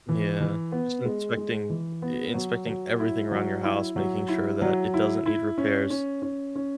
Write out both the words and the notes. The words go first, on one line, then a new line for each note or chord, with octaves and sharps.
Yeah, just inspecting i inspecting everything around your house, making sure that it doesn't need repairs,
E3
E3
B3
G#3
G#3
E3
B3
F#3
F#3
E4
F#3
E4
F#3
E4
F#3
E4
E4
C#4
C#4
C#4
C#4